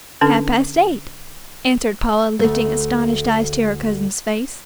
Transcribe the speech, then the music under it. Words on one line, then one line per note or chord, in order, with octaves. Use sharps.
"Half-past eight," answered Paula, lifting astonished eyes to her cousin's face.
D3 C#4 D4 A4
D2 A3